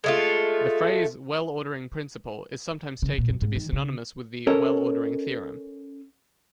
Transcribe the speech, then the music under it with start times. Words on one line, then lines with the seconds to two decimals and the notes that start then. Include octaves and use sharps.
The phrase "well-ordering principle" is sometimes taken to be synonymous with the "well-ordering theorem".
0.04 G#3 A3 F4
3.02 C#3
3.18 A#2
3.30 F#2
3.42 G#2
3.56 D#3
3.73 C#3
4.47 C#4 A4 A#4 C#5 D#5